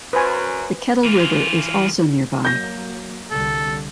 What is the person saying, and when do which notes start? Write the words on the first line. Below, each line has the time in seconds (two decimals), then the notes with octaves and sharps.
The Kettle River is also nearby.
0.13 F#2 B4 C5 G#5
1.05 E3 F4
2.45 F#3 A#3 G6 A#6
3.31 C2 D3 G3 A4